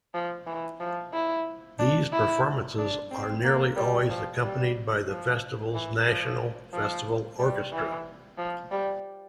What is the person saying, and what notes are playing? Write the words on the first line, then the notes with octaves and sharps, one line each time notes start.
These performances are nearly always accompanied by the festival's "National Festival Orchestra".
F3
E3
F3
E4
D4
E4
D4
C4
A#3
G3
F3
G3
F3
E3
F3
F3
G3
E3
F3
G3